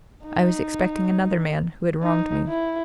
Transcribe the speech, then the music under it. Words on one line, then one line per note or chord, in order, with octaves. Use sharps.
I was expecting another man who had wronged me.
D#4
D#4
E4